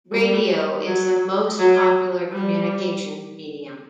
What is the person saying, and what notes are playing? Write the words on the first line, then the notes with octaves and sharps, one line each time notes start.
Radio is the most-popular communications medium.
G3
F#3
F#3
G3